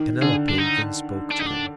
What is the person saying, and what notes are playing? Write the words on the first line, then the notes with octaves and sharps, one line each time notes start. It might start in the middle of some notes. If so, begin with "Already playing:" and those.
Penelope then spoke to him.
Already playing: D#3
D3 G#4
D4
D#4
D4
D#4
D4